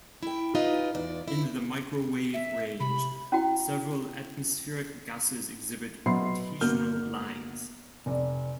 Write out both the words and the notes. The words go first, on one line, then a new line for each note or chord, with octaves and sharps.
In the microwave range several atmospheric gases exhibit rotational lines.
E4 G5
D#4 F4 G4 B4 D#5
E2 D5
E4
E5
C3 B5
C#4 E4 F#4 G5
B2 F#3 E5 B5 C6 C7
G1 A#3 F#4 F6 G6
F1 D5